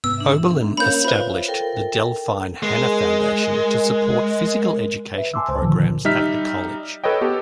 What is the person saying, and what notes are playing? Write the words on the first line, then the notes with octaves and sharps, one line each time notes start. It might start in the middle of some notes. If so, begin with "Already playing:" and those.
Oberlin established the Delphine Hanna Foundation to support physical education programs at the college.
G#2 C3 B3 E6
D4 E5
A#3 C#4 A#4 C#5 F5 B5 G6
F4 B4 C5 E5 B5
A4 A#4 G5
G#3 A#4
B4 E5
G#5 A5 C6 D6 E6
C#2 C5
A#2 D3 D#3 F3
G3 D#4 E5 F6 B6
A4 B4 C#5 D#5 G5
B3 G4 A4